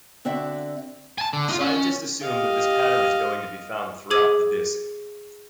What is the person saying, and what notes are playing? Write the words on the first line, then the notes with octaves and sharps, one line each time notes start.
Scientists assume that this pattern is going to be found throughout the disk.
D3 C4 F#4 D5 E5
G#5 A5
D3
D#4 F4
C#4
G4 D#5 F5
G#4 D6 G#6 D#7